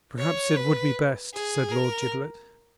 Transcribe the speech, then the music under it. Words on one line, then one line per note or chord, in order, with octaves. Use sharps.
"Perhaps it would be best," said Lord Giblet.
C#5
B4
G#4
A#4